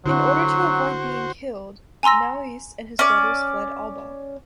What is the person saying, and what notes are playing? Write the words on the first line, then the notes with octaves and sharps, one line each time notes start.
In order to avoid being killed, Naoise and his brothers fled Alba.
D3 F#3 E4 F#4 C5
G#5 A#5 C6 E6 A#6
C#4 D5